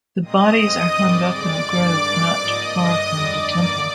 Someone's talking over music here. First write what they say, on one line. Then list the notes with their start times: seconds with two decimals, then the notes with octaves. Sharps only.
The bodies are hung up in a grove not far from the temple.
0.21 A#2 G#3 C4 D#5 D#6
0.57 F2 D3 G#3 C4
0.94 G#2 D#3 G3 C4 D5 D6
1.29 F2 D3 G#3 D5 D6
1.66 G2 D3 G3 A#3
2.02 G2 D#3 G#3 C4
2.38 G#2 F3 A#3 D#5 D#6
2.74 G2 D3 G#3
3.10 F2 D3 G3 D5 D6
3.47 G2 D#3 A#3